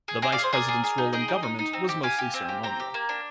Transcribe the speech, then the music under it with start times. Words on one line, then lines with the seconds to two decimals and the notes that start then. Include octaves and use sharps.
The Vice-President's role in government was mostly ceremonial.
0.08 G#4
0.22 G#4 D#5 G5
0.32 D5 F5
0.38 G#4
0.43 C5
0.53 G#4 A#4 D5
0.68 G#4
0.84 G#4
0.98 D#4
1.13 G#4 D#5 G5
1.28 D#4
1.43 D#4
1.59 D#4
1.73 C4
1.89 G4
2.03 G4 F5 G#5
2.18 G4
2.34 C4
2.49 G4
2.63 C4 G5 A#5
2.80 G4
2.94 A#3
3.09 D4